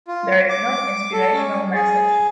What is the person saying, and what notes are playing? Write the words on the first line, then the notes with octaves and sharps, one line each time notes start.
There is no inspirational message.
F4
D6
A4
C#4
G#4